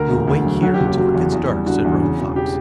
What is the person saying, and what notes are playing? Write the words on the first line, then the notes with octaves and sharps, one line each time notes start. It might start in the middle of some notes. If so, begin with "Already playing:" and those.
"We will wait here until it gets dark," said Running Fox.
Already playing: D2 A#4
E1
D2
F#3
F#3 F#4
G4
F#1
G4
F#3 F#4
E2
E2
G3
D3 F#4
E2
C#3
E1
G4